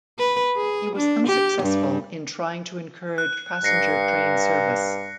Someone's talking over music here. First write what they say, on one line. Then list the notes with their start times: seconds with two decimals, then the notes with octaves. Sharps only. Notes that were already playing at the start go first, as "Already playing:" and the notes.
He was unsuccessful in trying to encourage passenger train service.
0.19 B4
0.56 G#4
0.96 D4
1.27 G4
1.63 G2
3.18 F#6
3.64 G2 A#6 C7 C#7